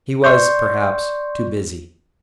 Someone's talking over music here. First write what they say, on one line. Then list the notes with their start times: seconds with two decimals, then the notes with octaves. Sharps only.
He was, perhaps, too busy.
0.24 D5 C6 C#6 G6